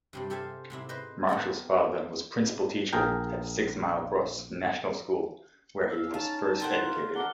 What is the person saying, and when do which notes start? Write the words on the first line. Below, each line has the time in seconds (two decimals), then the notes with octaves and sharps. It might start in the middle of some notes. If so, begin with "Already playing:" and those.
Marshall's father was principal teacher at Sixmilecross National School, where he was first educated.
0.13 G2 C3 G3
0.30 G4 A4 C5 E5 F5 G#5
0.70 G#2 C3 E4
0.89 B4 C5 D#5
1.29 B3 C4 A4 A#4
2.93 A#1 G#4 A#4 G5
5.90 F5 E6
6.14 C#4 D#4 F5 A5
6.60 C4 A4 A#4 C5 F#5
6.83 F4
7.15 D4 A#4 F#5 G7